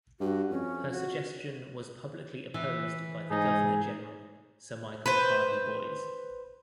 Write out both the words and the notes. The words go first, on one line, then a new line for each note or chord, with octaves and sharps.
Her suggestion was publicly opposed by the Governor-General Sir Michael Hardie Boys.
G2 F#4
F2 C#4
F#4
E3
G#2 D#4 G#4
B4 C5